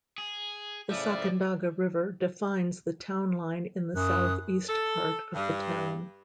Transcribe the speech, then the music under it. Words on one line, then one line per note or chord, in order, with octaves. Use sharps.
The Sacandaga River defines the town line in the southeast part of the town.
G#4
A2 C#3 F3 D5 E5
F#2 D#6 F#6
A4
G2